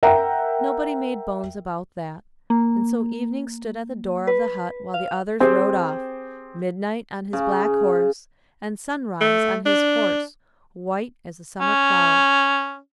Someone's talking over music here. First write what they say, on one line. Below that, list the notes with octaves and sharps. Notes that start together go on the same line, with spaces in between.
Nobody made bones about that, and so Evening stood at the door of the hut while the others rode off--Midnight on his black horse, and Sunrise on his horse, white as a summer cloud.
A#4 E5 F#5 G5 A#5
A#3
B4
F5
C4 G4 G#4 C5
C#3
A3
D4
C#4